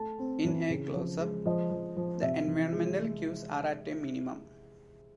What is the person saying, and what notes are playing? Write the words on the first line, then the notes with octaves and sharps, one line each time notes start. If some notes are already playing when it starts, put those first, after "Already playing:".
In a close up, the environmental cues are at a minimum.
Already playing: A3 A5
C4
E3
C#3
F3
G#3
F3 D#5
F3
F3
C3 E5
E3
G#3